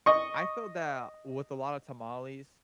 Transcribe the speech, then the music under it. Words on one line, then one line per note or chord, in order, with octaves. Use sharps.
I feel that, with a lot of tamales,
D#5 C#6